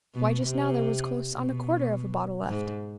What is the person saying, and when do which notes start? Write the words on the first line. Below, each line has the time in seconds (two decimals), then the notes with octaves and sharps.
"Why just now there was close on a quarter of a bottle left."
0.14 B2
0.44 C3
1.31 B2
2.49 G#2